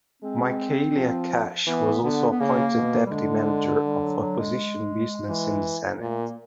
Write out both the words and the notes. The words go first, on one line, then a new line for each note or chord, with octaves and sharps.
Michaelia Cash was also appointed Deputy Manager of Opposition Business in the Senate.
G#3 C4
F3
E3 B3
D3 B3
B3
C#3 A#3
B2
G3
D3 G#3
G3
F#3
F#3
G#3
E3
A#2 A3
A#3